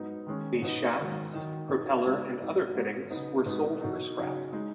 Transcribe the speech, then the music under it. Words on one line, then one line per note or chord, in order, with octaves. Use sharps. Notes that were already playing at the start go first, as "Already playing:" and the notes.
The shafts, propeller and other fittings were sold for scrap.
Already playing: G#2 F#3 B3 D#4
D#3 G#3 C#4
B2 B3 D#4
G#2 D#3 F#3
D#3 F#3 D#4
B2 B3 D#4
C#3 G#3 B3 D#4
G#2 F#3 B3 D#4
G#2 G#3 B3
C#3 F#3 B3 D#4
B2 G#3 B3 D#4
B2 F#3 D#4
C#3 F#3 D#4
G#3 D#4